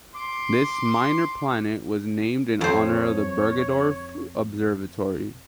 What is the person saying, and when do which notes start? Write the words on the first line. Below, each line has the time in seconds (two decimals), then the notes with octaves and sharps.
This minor planet was named in honor of the Bergedorf Observatory.
0.14 C6 D6
2.61 F2 C5 C#5